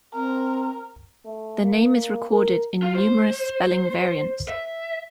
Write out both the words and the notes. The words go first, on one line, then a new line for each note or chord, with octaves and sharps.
The name is recorded in numerous spelling variants.
C4 A#4
A3
A#3
A#4
F4
C5
E5